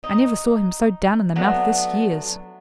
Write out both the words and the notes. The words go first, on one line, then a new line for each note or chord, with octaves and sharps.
I never saw him so down in the mouth this years.'
D#4
F#3 A3 B3 D4